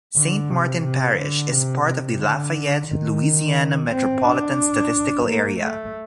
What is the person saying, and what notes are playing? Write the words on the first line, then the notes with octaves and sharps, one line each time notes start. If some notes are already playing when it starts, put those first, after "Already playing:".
Saint Martin Parish is part of the Lafayette, Louisiana Metropolitan Statistical Area.
D3
C3
C3
D3
C3
C3
D3
D#3
C4
D4
A#3
A3